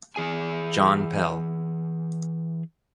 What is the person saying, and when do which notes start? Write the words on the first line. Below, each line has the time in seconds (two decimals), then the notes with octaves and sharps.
John Pell.
0.16 E3 G#4 G#5